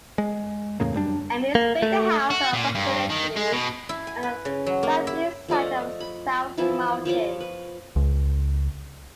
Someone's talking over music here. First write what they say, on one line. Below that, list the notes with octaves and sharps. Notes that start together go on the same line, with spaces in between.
Ames built a house on approximately on the southeast side of South Mountain.
G#3
E2 A2 C#3 A#3
F#2 G3 D4
A#3
A3
F#4
A#2
G2
D#3
G#3
B2
E4
G#5
B4
C#3
F#3
A#3
E4
F3 A3 D5 D#5
B5
E3 F3 B3 E4
F3 C#5 B5 D6
B4
C#2